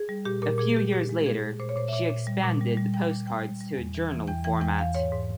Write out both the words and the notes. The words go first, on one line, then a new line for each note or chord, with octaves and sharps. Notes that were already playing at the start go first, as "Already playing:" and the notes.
A few years later, she expanded the postcards to a journal format.
Already playing: G#4
G3
A#2 G4
A#2 A#4
A#2 G#4
G3 G4
A#2 G4
G#3
A#2 G#4
A#2
A#2 C5
C#5
A#2 C5
E5
A#2 C#5
A#2
G3
A#2
G3
G3
G3 G5
A#2
G3 G5
G3
G3
E2
E3
E3
E2 G5
E3 G5
E2 G5
E2 F5
G#2 C#5
G#2